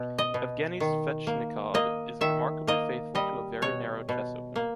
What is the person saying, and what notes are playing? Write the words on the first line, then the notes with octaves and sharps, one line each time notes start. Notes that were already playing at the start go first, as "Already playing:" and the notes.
Evgeny Svechnikov is remarkably faithful to a very narrow chess opening.
Already playing: B2
D#5
B2
D#3
A#3
A#3 D#5
D#3 E5
A#3 D#5
G3 D#5
B2 C#5
B2
A#3